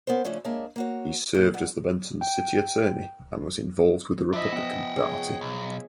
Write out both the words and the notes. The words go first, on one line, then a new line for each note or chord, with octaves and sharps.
He served as the Benton city attorney and was involved with the Republican Party.
B3 C#4 A#4 C5
C#3 F3 A3 C#4 D4
G#3 A#3 D4 G#4 C#5 E5
A#3 F#4 C#5
A#2
G2 F#5
G5
F3
D4 E4 D#5 E5
B3 D#5 F#5 G5
G#4 C#5
B1